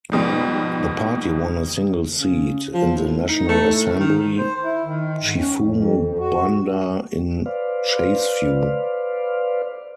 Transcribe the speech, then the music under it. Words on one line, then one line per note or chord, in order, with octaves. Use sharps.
The party won a single seat in the National Assembly, Chifumu Banda in Chasefu.
F2 G#2 B2 G3
C#3
F3
A2
D#4
A3
A2
D#3
C5
E4
D#3
G#2
C#4
F2
F2
F2
F#4
B4 C5 D5 F5